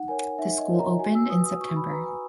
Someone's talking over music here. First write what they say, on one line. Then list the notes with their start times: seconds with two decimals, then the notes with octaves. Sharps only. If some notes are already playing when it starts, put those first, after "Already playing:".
The school opened in September.
Already playing: D#4 F#5
0.08 A#4 C#5 G#5
0.39 D#4 E5
0.59 D#5
0.70 A#4 C#5
0.79 A#5
0.99 F#4 G#5
1.15 E6
1.30 B4 D#6
1.46 D#6
1.61 F#4 C#6
1.76 B5
1.91 B4 A#5
2.06 G#5